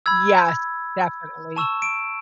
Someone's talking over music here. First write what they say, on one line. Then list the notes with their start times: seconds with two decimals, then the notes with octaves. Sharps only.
Yes. Definitely.
0.06 B5 E6 G#6
1.56 A5 C#6 E6 E7
1.82 D7